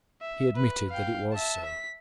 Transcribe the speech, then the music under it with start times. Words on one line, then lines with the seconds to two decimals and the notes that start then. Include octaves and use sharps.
He admitted that it was so.
0.21 E5
0.56 B4
0.90 F5 G5
1.33 E5 A5
1.66 B6